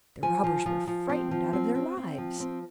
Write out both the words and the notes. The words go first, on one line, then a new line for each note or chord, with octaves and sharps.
The robbers were frightened out of their lives.
F3 G#5
F3
F3
F3
C4
F3
C4
C4
C4
F3
C4